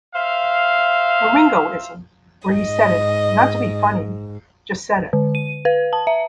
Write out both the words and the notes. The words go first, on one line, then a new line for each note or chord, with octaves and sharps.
A Ringo-ism, where he said it not to be funny... just said it.
C5 E5 F5
G#2 D#5
D3
D#7
B4
A5
E5